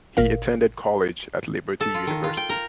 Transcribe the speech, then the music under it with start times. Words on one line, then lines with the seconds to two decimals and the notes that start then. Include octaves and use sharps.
He attended college at Liberty University.
0.17 G#1 A#2 A#4 F5
1.81 A4
1.94 F4
2.07 D#3
2.24 F4
2.37 G5
2.49 A#4